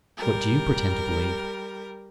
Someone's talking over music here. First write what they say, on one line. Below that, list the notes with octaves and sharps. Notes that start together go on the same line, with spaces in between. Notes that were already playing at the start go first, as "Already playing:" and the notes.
What do you pretend to believe?'
G3 A#4